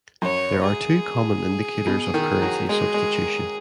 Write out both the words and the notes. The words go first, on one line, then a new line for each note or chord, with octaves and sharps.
There are two common indicators of currency substitution.
F#2 C#5
G#4
B2
D#3
F#3
G#3 G#4
G#3